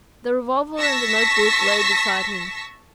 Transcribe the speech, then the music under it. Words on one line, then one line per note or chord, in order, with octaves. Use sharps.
The revolver and the notebook lay beside him.
A5 C#6 E6 A#6 B6